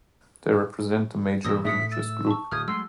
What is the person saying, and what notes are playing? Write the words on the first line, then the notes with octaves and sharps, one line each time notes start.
They represent the major religious group.
G2 A#2 E3 D#6 E6 A#6
A2 E5 D#6 B6 C#7
E6 A6
A5 C#6
D1 D#6 F6 G6 G#6
F#3 G#3 A3 C6 E6